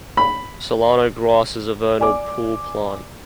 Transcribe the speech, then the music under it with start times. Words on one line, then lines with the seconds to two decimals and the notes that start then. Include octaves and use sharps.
Solano grass is a vernal pool plant.
0.17 B5
2.00 D5 G#5 D6